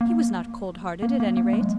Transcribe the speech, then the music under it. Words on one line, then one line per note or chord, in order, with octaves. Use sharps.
He was not cold-hearted, at any rate.
A#3
A#3
A#3
A#3
G#3
F#3